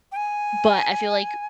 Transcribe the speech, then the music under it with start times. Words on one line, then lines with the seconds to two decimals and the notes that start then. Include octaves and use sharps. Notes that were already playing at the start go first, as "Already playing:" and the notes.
But I feel like
0.12 G5
0.16 G#5